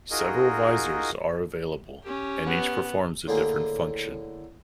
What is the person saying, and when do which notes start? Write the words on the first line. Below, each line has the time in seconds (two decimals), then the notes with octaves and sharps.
Several visors are available, and each performs a different function.
0.11 D#4 F4 F#4 G#4 A#4 D#5
2.03 C#4 G4
2.47 B3
3.27 A2 D3 A#3 G#4